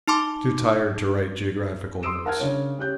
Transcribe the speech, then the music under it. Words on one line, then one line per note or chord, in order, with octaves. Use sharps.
Too tired to write geological notes.
D#4 A5 C6 D6
C6 D#6 E6 D7 E7
A#4 F#5 A5 F6 G#6
C#3 D4 C#5
C#4 G4 F#6 G6